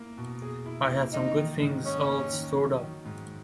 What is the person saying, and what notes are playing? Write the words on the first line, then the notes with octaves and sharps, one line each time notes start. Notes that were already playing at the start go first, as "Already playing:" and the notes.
I had some good things all stored up.
Already playing: A#3 E4
B2
G#4
E4
A#3
A#3 D#4
D#3
G#2
C#4 D#4
A#3
D#3
F#3
D#3
G#2